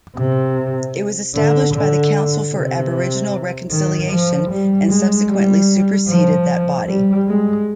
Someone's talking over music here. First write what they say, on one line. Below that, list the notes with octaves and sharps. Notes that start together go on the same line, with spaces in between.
It was established by the Council for Aboriginal Reconciliation and subsequently superseded that body.
C3
D3
D3
C3
D#3
F3
G3
G#3
G3
F3
G3
G#3